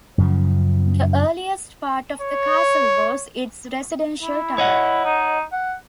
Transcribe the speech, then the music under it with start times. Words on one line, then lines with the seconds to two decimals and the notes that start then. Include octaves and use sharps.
The earliest part of the castle was its residential tower.
0.18 F#2 C#3 F3
2.21 C#5
4.22 E4
4.58 C#5 D#5 F#5
5.05 D#4
5.52 F#5